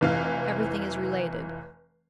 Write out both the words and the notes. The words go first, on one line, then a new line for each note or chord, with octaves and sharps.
Everything is related.
F1 E3 F5